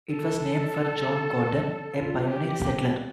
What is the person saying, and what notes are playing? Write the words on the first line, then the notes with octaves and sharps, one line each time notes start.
It was named for John Gordon, a pioneer settler.
A4
F4
G4